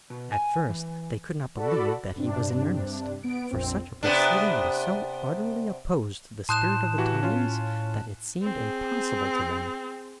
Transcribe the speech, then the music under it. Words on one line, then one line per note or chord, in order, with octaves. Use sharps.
At first they could not believe that he was in earnest, for such a proceeding was so utterly opposed to the spirit of the times that it seemed impossible to them.
B2
G#5
E3
F#4 A4 D5 B5
G2 C3 D4
B3 D7
A#1 F2 C4
C3 B3 D4
A2 A5 C6 D#6 F#6 G6 E7
E3 F#4 G4
C#4 F4
C4 G#4